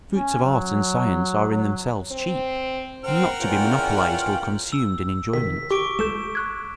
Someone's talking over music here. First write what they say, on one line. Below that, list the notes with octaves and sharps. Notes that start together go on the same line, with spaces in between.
The fruits of art and science are in themselves cheap and not to be monopolised or consumed in enjoyment.
C#4
F#3
F#3
C4
C4 A#4 F#5 F6
E2 C#4 F4 G5
E6
C3 D#3 B6
G4 C#6 D6 D7
C#2 A4 G6 E7
C#6 F#6 G#6